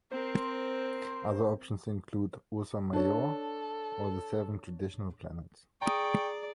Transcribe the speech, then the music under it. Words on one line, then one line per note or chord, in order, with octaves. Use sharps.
Other options include Ursa Major, or the seven traditional planets.
C4 A#4 C5
D4 A4 C#5
G#4 D5 G5 A#5 C#6 D#6